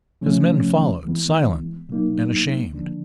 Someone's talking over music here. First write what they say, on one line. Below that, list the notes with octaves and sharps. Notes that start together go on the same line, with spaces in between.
His men followed, silent and ashamed.
C3 F3 A3 C#4
E3 G#3 B3
B2 F#3 A#3 D#4
D3 F3 A#3 D4